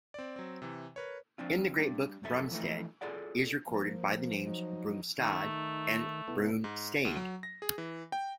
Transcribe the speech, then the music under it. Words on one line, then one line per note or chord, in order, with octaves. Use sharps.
In the great book Brumstead is recorded by the names "Brumestade", and "Brunestade".
C4 D5
F#3 C4
C3 E3
A#4 B4 C#5
F3 C4 D4 F4
G3 D4
C2 F#2 F3 A4 E5
E3 F3 A3 D#4
F4 G#4 A4 D5 F#5
F3 A#3
F#3 D#4
D#3 A3 D#4
C3 B3 E4 A4
G#2
D2
F#3
A#6
G#4
E3
G5